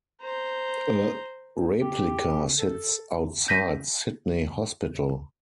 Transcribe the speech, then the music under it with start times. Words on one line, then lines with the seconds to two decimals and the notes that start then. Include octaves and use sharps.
A replica sits outside Sydney Hospital.
0.22 C5 A#5
1.80 G4
2.58 A4
3.48 G6 A#6 B6 D#7